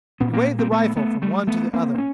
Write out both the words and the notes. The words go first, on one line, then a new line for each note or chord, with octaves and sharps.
He waved the rifle from one to the other.
A#2 B3 C#4
A#3 C4
A#3 C4
A3 B3
A3 B3
G3 A3
A3 B3
A#3 C4
C4
C#4